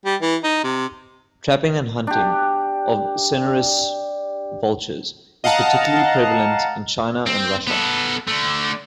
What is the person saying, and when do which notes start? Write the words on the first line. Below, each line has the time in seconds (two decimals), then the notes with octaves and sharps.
Trapping and hunting of cinereous vultures is particularly prevalent in China and Russia.
0.05 G3
0.22 E3
0.44 D#4
0.64 C3
2.07 D4 G4
5.44 D#5 F5 F#5 A5 A#5
7.26 C4
7.67 B3 A4
8.27 D3 A3